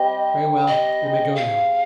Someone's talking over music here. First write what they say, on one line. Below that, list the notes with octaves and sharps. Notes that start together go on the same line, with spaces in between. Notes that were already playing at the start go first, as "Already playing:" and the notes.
"Very well, you may go now."
Already playing: G3 C4 G4 D#5
D#5
G#3 D#4 G4
F5